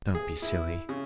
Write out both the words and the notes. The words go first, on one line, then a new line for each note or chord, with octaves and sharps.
Don't be silly.
G#4
E4
C#3